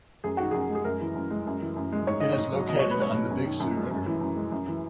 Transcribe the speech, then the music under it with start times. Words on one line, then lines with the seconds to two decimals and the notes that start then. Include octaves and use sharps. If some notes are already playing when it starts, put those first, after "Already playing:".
It is located on the Big Sioux River.
0.24 F#2 G#4
0.37 D#3 F#4
0.51 F#2 G#4
0.70 G#3 G#4
0.85 F#2 A#4
1.01 E3
1.15 F#2
1.30 G#3
1.47 F#2
1.61 E3
1.76 F#2
1.92 G#3
2.07 G#2 C#5
2.20 D#3 D#5
2.33 C#5
2.38 G#2
2.53 F#3
2.69 B2 D#5
2.79 G#3 C#5
2.91 B4
2.99 G#3 C#5
3.14 B2
3.30 F#2
3.45 D#3
3.60 F#2
3.76 G#3
3.91 F#2
4.06 E3
4.21 F#2
4.36 G#3
4.52 F#2
4.67 E3